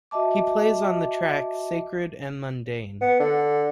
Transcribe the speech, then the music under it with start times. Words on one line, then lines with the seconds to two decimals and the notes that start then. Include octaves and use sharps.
He plays on the track "Sacred and Mundane".
0.11 F#4 D#5 E5 A5 D6
3.01 B3
3.20 D3